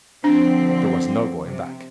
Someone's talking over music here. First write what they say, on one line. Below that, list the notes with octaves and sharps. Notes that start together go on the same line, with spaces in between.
There was no going back.
D3 F3 C4 D4
C3